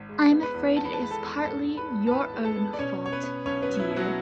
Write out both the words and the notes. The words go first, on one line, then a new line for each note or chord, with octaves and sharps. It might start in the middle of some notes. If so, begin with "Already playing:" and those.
I'm afraid it is partly your own fault, dear.
Already playing: G#1
G#3
B3
B4 B5
E2
E2 A5
B5
A5
G#3 B5
A4 A5
E2
B5
G#2 A4 A5
G#2
B4 B5
B3
A5
A1 B4 B5
G#3
A4 A5
B3
D5
B2 C#4 C#5
B2 C#5
B3 B4
B3
B1 C#4 C#5
B3 B4
F#3
E4
B2
F#3 F#4